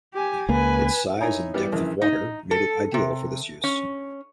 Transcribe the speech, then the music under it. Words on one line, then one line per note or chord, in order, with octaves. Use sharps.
Its size and depth of water made it ideal for this use.
G4 G#5
C#2 A#3 B4 G#5
D#4 E4 C#5 G#5
E3 G3 B3
A#1 C#3 E3
D#4
A4
C3
C#4